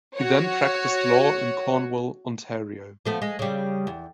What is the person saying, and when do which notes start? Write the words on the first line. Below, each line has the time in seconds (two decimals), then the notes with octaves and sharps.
He then practiced law in Cornwall, Ontario.
0.17 F#4 C#5
3.05 F3 A3 B3
3.22 G#3
3.39 C#3 G3
3.87 E2